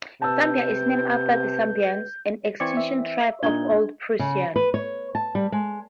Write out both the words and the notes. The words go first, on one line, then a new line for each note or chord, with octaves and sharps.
Sambia is named after the Sambians, an extinct tribe of Old Prussians.
C3 B4 A5 E6 G6
E3 C4 D5 C#6 G#6 C#7
E5
A#2 D4 D#4 G#6 G7
C#3
B4
C#5
A5
G3
G#3